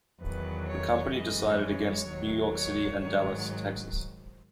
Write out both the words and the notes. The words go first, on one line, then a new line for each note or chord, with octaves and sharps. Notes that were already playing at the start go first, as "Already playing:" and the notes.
The company decided against New York City and Dallas, Texas.
E2 D#3 F#3 B4
C#5
F#2 E3 G#3 D#5
C#5
D#2 D#3 F#3
C#5
G#2 D#3 F#3 C#5